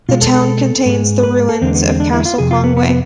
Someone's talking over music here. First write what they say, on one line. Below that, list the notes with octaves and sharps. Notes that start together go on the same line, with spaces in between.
The town contains the ruins of Castle Conway.
B2 G#3 F4
A4
A4
G#2 G#3
B4
A4
E2 D3 G#3 C4
B3
C4
D4
E4
F4
F2 C3 G#4
F4
B3
B3
B3